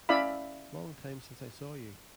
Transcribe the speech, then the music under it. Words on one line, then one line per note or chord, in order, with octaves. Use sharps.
Long time since I saw you.
C#4 E4 D5 E5 F5 B5